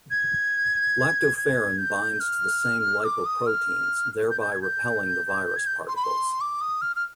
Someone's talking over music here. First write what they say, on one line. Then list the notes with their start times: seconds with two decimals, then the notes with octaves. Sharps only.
Lactoferrin binds to the same lipoproteins thereby repelling the virus particles.
0.11 G#6
1.37 G#6
1.78 G6
2.20 F6
3.04 D6
3.26 D#6
3.47 F6
4.31 G6
4.41 G6
4.52 G#6
4.62 G6
5.56 G#6
5.67 G6
5.88 C6
5.96 B5
6.04 C6
6.41 D6
6.61 D#6
6.82 F6
6.96 F6